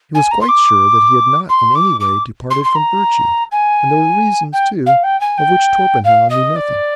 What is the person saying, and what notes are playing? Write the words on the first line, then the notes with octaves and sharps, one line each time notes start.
He was quite sure that he had not in any way departed from virtue, and there were reasons, too, of which Torpenhow knew nothing.
G#5
A#5
C6
D6
C6
D6
D6
C6
C6
A#5
G#5
G5
F5
G5
G#5
G5
F5
D#5
D5